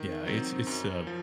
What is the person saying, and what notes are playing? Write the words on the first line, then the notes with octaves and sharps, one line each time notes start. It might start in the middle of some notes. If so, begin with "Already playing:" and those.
Yeah, it's it's, uh
Already playing: D#3
F#3 C4 D#4
F#2
F3